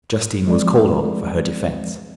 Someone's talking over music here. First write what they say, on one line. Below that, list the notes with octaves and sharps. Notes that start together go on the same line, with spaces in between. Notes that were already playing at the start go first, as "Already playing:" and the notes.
Justine was called on for her defence.
F3 G#3 C4 D5